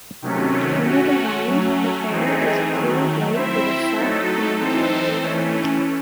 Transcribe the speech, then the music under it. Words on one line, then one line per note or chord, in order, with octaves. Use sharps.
Under the rind, Cathare is pure white with a soft, creamy texture.
C3 D#3 F#3 A3 C#4
A3 C#4 F#4
F#3 A3 C#4
E3 A3 C4 D#4 G#4
D#3 F#3 A3
C4 E4 C5 E5
F#3 A3 D#4 A4
E3 C4 D#4 A4 C5
E3 A3 C#4